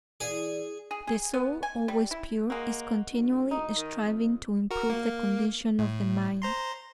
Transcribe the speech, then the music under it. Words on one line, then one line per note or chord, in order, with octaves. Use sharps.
The soul, always pure, is continually striving to improve the condition of the mind.
E3 E4 G#4 D5 F5
G#4
G#4
B3
G#5
G3
E4
G#3 A#3 F#4
D2
D#4
D#3
F2
F#4 A#4
A#3
A2
C5 A#5 C6